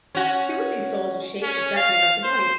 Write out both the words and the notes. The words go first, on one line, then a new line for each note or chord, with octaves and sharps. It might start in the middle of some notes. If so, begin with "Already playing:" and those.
Two of these souls are shape exactly like the body.
C#4 F#4
C#4
F5
C5